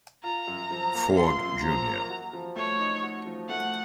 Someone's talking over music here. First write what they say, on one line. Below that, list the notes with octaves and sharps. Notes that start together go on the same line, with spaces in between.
Ford, Jr..
F4 A#5
F#2
F3
A#3
F4 C6
F#2
F3 A#5
A#3
F#4
F3
A3 C#5
D#4
F#4
F3
A3 F#5